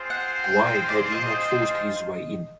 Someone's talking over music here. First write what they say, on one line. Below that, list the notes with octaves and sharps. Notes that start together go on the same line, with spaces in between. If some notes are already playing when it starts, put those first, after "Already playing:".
Why had he not forced his way in?
Already playing: C4 F4 G#4 C5
F#5
G5
G5
D5
D#5